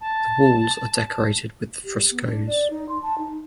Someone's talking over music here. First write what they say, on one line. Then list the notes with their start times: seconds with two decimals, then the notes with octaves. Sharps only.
The walls are decorated with frescoes.
0.01 A5
1.85 G4
2.11 B3
2.25 D4
2.47 D5
2.70 D#4
2.89 C6
3.02 A5
3.18 D#4